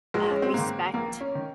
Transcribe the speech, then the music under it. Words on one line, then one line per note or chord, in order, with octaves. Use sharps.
uh, respect,
A#1 G#3
C#4
C4
G#2 D#3 A#3
A#1 A#3
C#4
D#3